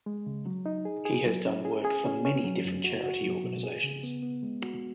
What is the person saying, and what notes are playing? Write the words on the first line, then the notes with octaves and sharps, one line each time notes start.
He has done work for many different charity organizations.
G#3
C#3
F#3
D#4
G#4
G#4
F#3
C#4
G#4
G#4
C#4
C#4
F#3
F#2
F#4
F#4
F#3
B2
G#4
C#3
B3
B3
G#3
F#4